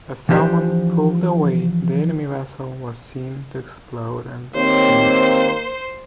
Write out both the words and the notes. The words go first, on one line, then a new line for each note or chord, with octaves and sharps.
As "Salmon" pulled away, the enemy vessel was seen to explode and sink.
E3 F3 D4 G4 C5
D#3 A#3 C4 G4 C5 C#5